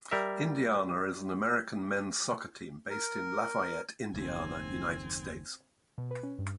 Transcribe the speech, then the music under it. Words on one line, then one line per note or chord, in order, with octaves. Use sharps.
Indiana is an American men's soccer team based in Lafayette, Indiana, United States.
G3 A#4 E5
A#4
F#1 D#2 C4 G#5
B2
B4
C#4
G2